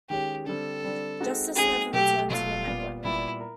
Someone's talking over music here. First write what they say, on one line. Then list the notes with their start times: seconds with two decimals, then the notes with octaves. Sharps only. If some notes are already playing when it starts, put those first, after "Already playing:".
Justice never returned to the network.
0.09 D#3 G#3 C#4 G4
0.46 D3 G3 C4 A4
0.83 D3 G3 C4
1.20 G#3 C4 D#4 F#4
1.56 G#3 C4 D#4 F#4 G#4
1.93 B2 F#3 A3 G4
2.30 B2 F#3 A3 F4
2.67 A#2 G3 B3
3.03 A#2 G3 B3 E4
3.40 A#4